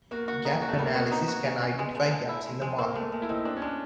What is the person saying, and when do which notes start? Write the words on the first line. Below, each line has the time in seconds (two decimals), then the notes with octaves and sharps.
Gap analysis can identify gaps in the market.
0.11 A#3 F#4
0.28 F#4
0.45 D#4
0.62 F#4
0.69 A3
0.79 G3 A#3
0.87 C4
0.95 B3 F#4
1.12 D#4
1.28 F#4
1.45 C#4
1.62 C#4
1.78 G#3 B3
1.95 G#3 A3
2.11 G#3
2.29 E4
2.46 G#3
2.62 G#3
2.78 A#3 C4
2.95 G#3 A3
3.12 G#3 A#3
3.22 E4
3.29 C4 D#4
3.45 C4 D4
3.56 C#4
3.62 G#3 D4